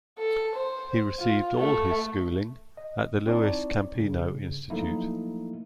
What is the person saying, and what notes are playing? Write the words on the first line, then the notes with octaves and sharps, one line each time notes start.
He received all his schooling at the Luis Campino Institute.
A4
C5
F4
A3
D#5
C4 D#4 E4 C#5 D5 A5
G2 C#3
F3 F#3 A3 A#3 D#4 E4